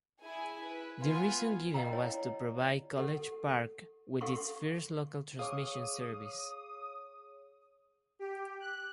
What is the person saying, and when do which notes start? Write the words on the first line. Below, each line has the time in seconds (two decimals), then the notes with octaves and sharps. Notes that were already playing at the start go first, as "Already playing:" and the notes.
The reason given was to provide College Park with its first local transmission service.
0.22 E4 G#4 G#5
0.63 B4
1.01 B3 F4 B4 G#5
1.74 D#5 F5 G5 A#5
1.91 E4 C#5 D5
2.96 G4 A4 F#5
4.21 G4 A4 F5 F#5 C6 C#6
5.39 G#4 C#5 F5 D6 D#6
8.19 G4
8.60 F#6